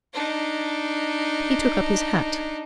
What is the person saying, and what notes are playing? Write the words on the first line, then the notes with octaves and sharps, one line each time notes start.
He took up his hat.
D4 D#4